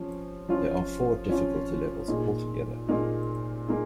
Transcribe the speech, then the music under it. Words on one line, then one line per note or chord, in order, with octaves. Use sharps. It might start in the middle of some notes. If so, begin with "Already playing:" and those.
There are four difficulty levels altogether.
Already playing: F3 C#4
F3 C#4 F4
F3 C#4 F4
A#2 A#3 D#4 G#4
A#2 A#3 D#4 G#4
A#3 D#4 G#4